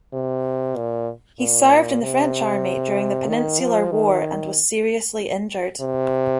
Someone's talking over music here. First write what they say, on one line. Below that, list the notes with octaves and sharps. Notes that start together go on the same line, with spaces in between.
He served in the French army during the Peninsular war and was seriously injured.
C3
A#2
A#2
C3
D#3
F3
D#3
C3